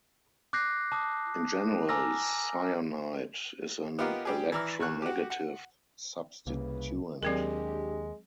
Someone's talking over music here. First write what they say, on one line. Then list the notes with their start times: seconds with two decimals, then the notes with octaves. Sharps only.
In general, cyanide is an electronegative substituent.
0.53 D6 F#6 G6 A#6 C7
0.92 A5 D6 D#6
1.89 G#5 A#5 D6 E6 F6 A#6
3.99 B3 D#4 F4 G4 A#4
4.25 G3 G4 G#4
4.52 E3 D5 A#5 E6 F6
4.80 D#2 C#6 F#6
5.02 F#4 G4
5.30 F#5
6.47 C2 C#3 A#3 B4
7.23 D#2 F#3 G#3 C4 D4 G4 A#4